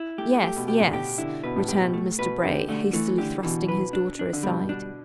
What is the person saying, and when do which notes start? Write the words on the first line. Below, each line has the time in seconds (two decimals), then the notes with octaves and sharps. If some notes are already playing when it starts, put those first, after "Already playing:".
'Yes, yes,' returned Mr Bray, hastily thrusting his daughter aside.
Already playing: E4
0.18 A3 G4
0.43 A3 G4
0.56 B2
0.68 B2 G4
0.80 A2
0.87 D3
0.94 B2 G4
1.18 D3 E4
1.44 B2 B4
1.56 A2
1.68 B2 G4
1.81 B2
1.94 A3
2.19 B2 B4
2.44 D3 G4
2.69 D3 A3
2.93 E3 A3
3.18 D3 G4
3.43 B2 E3
3.68 B4
3.93 D4
4.19 D4
4.33 D3
4.43 B2 G3
4.69 D4